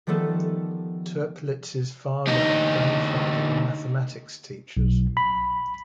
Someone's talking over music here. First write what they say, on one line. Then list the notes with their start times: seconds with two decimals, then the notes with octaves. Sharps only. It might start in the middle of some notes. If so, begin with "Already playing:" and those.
Toeplitz's father and grandfather were mathematics teachers.
0.07 D#3 F3 G3 A3 B3 A4
2.28 D2 D#4
4.77 B1
5.17 B5